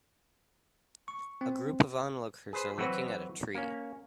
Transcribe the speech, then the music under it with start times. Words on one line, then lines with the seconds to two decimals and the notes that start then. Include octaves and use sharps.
A group of onlookers are looking at a tree.
1.08 C#6
1.41 C4
2.53 G#4 B4 C5
2.78 E3 F#3 C4 F#4 B4
3.55 A#3 C#4